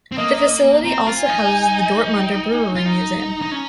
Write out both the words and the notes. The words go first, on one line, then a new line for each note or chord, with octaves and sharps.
The facility also houses the Dortmunder Brewery Museum.
C4
A#3 D#5
C4 A#5
F4
G#5
D#4
G5
G#5
F4
D#4 A#5
D#4
C#4